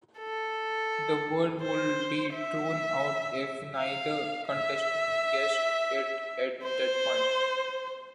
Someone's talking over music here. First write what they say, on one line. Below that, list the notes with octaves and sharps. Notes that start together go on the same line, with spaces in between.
The word would be thrown out if neither contestant guessed it at that point.
A4
C5
E5
F5
E5
C5